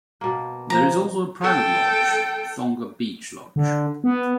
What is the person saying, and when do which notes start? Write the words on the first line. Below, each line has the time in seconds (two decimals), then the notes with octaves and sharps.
There is also a private lodge - Thonga Beach Lodge.
0.21 B2 A#3
0.70 F3 A#5
1.41 A4 G5
3.56 D3
4.04 B3